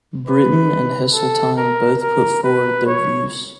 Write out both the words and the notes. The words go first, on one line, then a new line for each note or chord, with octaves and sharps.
Brittan and Heseltine both put forward their views.
B4
A4
A#4
A#4
B4
C#5